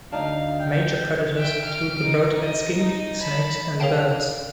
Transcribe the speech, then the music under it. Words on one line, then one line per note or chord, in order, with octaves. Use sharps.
Major predators include the broadhead skink, snakes and birds.
D2 D4 D#4 F5
G5
E5 G5
F6 D7
D#4
D#5
D#4
A5 B5
G#4 A#4 C#5 F5 G5 A5